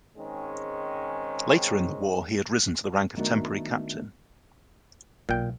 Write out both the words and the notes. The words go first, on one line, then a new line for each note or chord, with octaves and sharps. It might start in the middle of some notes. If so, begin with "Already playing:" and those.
Later in the war he had risen to the rank of temporary captain.
G#2 D#3 G#3 C4 C#4
D#3 A3 B3 D4 D#4 F#4
B1 A#2 G5